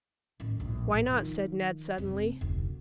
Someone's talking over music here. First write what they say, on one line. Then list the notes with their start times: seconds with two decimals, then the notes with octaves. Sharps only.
"Why not?" said Ned suddenly.
0.40 A1 D#2
0.60 A#1 A2
1.11 D#3 F3
1.98 F1 C4
2.41 F1 D2